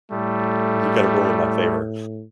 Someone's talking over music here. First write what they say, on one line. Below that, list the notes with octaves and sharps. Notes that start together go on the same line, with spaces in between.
you gotta rule in my favor."
A2 G3 A3